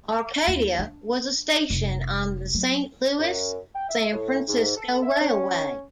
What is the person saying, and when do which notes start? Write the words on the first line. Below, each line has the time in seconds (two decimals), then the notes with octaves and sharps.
Arcadia was a station on the Saint Louis-San Francisco Railway.
0.48 D#2
0.79 D4
1.70 F1
2.54 F#3
3.18 F#2
3.74 G5
3.89 E5
4.12 A2
4.48 G#2
4.76 A4
5.02 E5
5.20 C#4